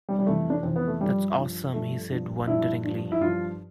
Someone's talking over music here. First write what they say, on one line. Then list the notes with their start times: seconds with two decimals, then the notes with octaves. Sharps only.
That’s awesome, he said wonderingly.
0.09 G3
0.19 G3
0.26 F2 C3 E3 A3
0.50 D4
0.63 F2 C3 E3 C4
0.76 B3
0.87 A3
1.01 G2 F3 G3
1.37 G2 F3
1.74 G2 F3 A3
2.11 G2 F3
2.47 G2 F3 E4
2.84 G2 F3
3.12 E4
3.20 G2 F3 F4